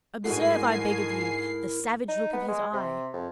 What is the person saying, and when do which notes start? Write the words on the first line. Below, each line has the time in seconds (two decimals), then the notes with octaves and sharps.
Observe, I beg of you, the savage look of his eye.
0.24 G#2 A3 E4 F#4 G#4 A#4 G#5 C7
2.08 D#4
2.33 B3
2.48 G#3
2.73 C3
3.13 F2